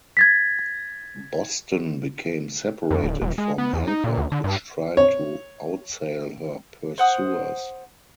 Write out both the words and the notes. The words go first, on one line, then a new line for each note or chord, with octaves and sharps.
"Boston" became separated from "Hancock", which tried to outsail her pursuers.
G#6 A6 B6
F2
D1
D#1
G#3
B3
E2
D#4
A#2
D2
D3
G2
C#5
C5 F#5 D#6